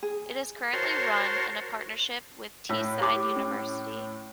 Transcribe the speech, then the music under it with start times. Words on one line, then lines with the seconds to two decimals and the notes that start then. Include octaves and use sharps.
It is currently run in a partnership with Teesside University.
0.03 G#4
0.73 F#4 A#4 C5 C#5 A5 C6
2.69 A2 E5 F5 E6
3.01 G4 D6
3.36 C#4